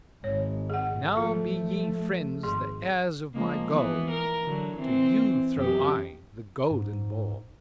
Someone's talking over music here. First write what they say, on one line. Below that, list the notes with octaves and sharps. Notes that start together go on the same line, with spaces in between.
Now be ye friends the heirs of my goal; to you throw I the golden ball.
G#1 G#3 C#5
G#4 F#5
F3 A3 F4 A4
G#1 G#4 C6
F3 G#3 A#3
E3 B3
A#4
D3 F#3
E3 C4
F#2 B3 G4
G#2